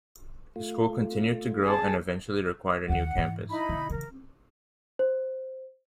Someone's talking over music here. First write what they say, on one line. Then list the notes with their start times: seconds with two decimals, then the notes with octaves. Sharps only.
The school continued to grow and eventually required a new campus.
0.56 A3 F4
1.64 G#4 A5
2.89 D#2 D#3 F#5
3.16 G#2 E3
3.49 D#4 E4 B5
3.69 B2 D3
3.90 C#3 E3 A#4
4.99 C5